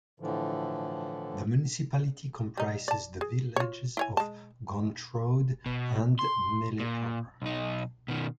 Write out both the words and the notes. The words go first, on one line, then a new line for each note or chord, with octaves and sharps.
The municipality comprises the villages of Gontrode and Melle proper.
A2 D3 E3 F3
G3 D#4
D5 A5
G#4
F4 C#5
E4 C#5 G#5
G#3 A5
B2
C6
A#2
B1 D#4
B2 D#3